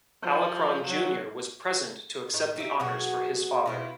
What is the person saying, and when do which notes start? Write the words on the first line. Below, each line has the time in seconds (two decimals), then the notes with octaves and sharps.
Alacron Junior was present to accept the honors for his father.
0.22 F3
0.88 F#3
2.34 A2 D#4 C5
2.56 D#4 G4 E5
2.80 B2 F#3 F#4 G#4
3.66 B2 E4 F4